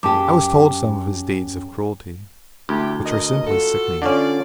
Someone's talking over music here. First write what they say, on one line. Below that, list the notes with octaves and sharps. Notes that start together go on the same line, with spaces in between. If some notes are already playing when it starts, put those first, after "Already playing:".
I was told some of his deeds of cruelty, which are simply sickening.
F#2 G4 G5 A5 D6
D2 E4 G4
A#4 D#5
F4 F#4 A4
D3 C#4 F4 D5